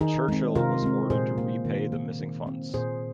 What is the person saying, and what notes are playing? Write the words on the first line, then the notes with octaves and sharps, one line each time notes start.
Churchill was ordered to repay the missing funds.
D#3 D#4 G#4
G#3 C4
C3 F4 A#4
G#3 C4
A#2 G#4 C5
A#3
D#3
A#3
D#3
C4
A#2 G#4 C5